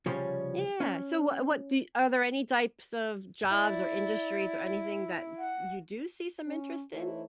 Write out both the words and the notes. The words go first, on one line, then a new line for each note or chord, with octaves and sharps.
Yeah, so what what do are there any types of, jobs or industries or anything that, you do see some interest in?
C2 C#3 F3 G3 C#4 C#5
C#4
E4 D5
F#5
C#4
E3 A3 D#4 E4 C5 C#5